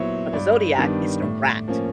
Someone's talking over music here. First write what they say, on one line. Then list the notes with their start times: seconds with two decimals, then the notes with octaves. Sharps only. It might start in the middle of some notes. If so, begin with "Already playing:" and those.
for the zodiac is the rat.
Already playing: A#2 F#3 B3 E4 C5 C#5
0.33 G2 D5
0.78 D#3 G3 B3 D4
1.22 A2
1.68 F3 A#3 C#4